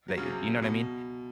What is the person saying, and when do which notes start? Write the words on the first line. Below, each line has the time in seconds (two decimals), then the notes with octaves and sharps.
that you're you know what I mean?
0.08 F#3
0.17 C#3
0.26 C3
0.62 B2